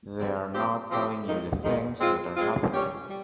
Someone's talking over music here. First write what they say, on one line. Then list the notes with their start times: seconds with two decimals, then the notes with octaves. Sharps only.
They are not telling you the things that are happening.
0.17 G#2 G3 C4
0.53 F3 C4 G4
0.90 F3 C4 G4
1.26 F2 D#3 G#3 D#4
1.63 F2 D#3 G#3 D#4
1.99 G#3 C4 F4
2.37 G#3 C4 F4
2.73 G3 C#4 G4 C#5
3.09 G3